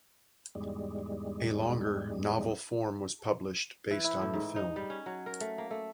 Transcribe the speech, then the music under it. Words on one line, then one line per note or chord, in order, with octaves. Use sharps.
A longer, novel form was published, based on the film.
E2 G#2 G3 G#3
E3
E4
A2
G#2
D#4
G3
C#4
F#3
A#4
A3
A#3
A3